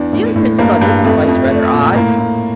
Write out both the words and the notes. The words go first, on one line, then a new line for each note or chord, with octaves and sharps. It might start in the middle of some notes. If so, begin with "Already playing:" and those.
The young prince thought this advice rather odd.
Already playing: E2 D4
A2
A2
G2 A#3
G2
F2 A3
F2
A3
A#2
A2 A#3
A2